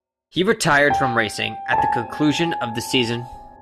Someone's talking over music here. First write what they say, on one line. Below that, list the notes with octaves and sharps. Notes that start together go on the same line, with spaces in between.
He retired from racing at the conclusion of the season.
G5
A5
G#5